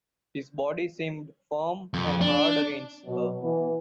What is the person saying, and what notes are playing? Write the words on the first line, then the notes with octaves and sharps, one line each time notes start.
His body seemed firm and hard against her.
F2
D4
B2 F#3
E3 B3